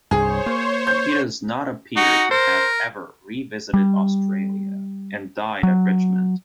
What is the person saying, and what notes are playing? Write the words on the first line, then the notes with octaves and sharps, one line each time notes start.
He does not appear to have ever revisited Australia, and died at Richmond.
C2 G2 G#4 C5 C#5
A#3
G6
D#4 F#4
A#4 C5
G3
F#3